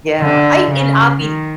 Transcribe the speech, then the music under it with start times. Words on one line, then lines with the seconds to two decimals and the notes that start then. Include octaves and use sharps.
yeah. I and I'll be
0.21 D3
0.71 C#3
1.20 D#3